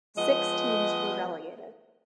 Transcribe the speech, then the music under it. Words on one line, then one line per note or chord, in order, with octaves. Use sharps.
Six teams were relegated.
F3 G#3 B3 D#5